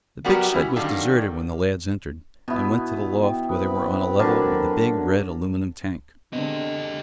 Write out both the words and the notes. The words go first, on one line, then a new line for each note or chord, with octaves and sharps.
The big shed was deserted when the lads entered, and went to the loft where they were on a level with the big, red aluminum tank.
F#3 G3 B3 F#4 A#4 D5
C#4 E4 F#4
D3 D#3 F#3 G3 A#3 D4
B2 B3 E4 D#6
G5
C4 B4 D#6
D3 F#3 A#4 D6 F6
D3 G#3 B3 C4 D4 G4 D#5